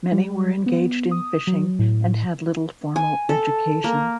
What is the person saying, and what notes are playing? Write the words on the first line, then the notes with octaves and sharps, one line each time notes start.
Many were engaged in fishing and had little formal education.
G3
B3
D#6
F#3
A2
G#5
A4
A#3